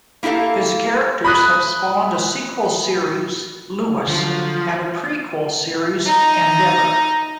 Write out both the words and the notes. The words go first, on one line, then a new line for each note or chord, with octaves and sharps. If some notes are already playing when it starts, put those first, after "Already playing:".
His characters have spawned a sequel series, "Lewis", and a prequel series, "Endeavour".
A#3 E4 G4 A4 F5
B5 D#6 F#6
D3 F3 F#3 F4
D#4